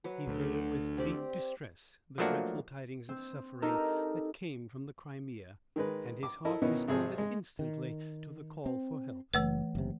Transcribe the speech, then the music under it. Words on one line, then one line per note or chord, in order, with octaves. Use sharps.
He heard with deep distress the dreadful tidings of suffering that came from the Crimea, and his heart responded instantly to the call for help.
F#3 B4
D2
C4 G4 D5
F3 F#3 A3 A#3 D4 F#4
C4
D#4 G4 A4 A#4
D#3 G#3 B4
D6
E4 A4 A#4 D#5
B2 D#3 B3 C#4 D#4 E4
G#1 C3 G#4 A4 C5
G#3
D#3
C4
F#1 E3 A3 B4
F#1 C3